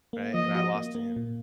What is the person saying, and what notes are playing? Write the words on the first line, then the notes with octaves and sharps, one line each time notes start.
Right? And I lost to him.
A#3
F3 D#5
F#4
A#3
A#3
A#2